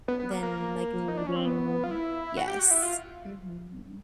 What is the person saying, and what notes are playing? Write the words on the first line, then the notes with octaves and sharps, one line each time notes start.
than, like, me being Yes. Mhm.
B3
B3
A#3
A#3
D#4
D4
C#4
C4
B3
F4
E4
F#4
G4
F#4
E4
F4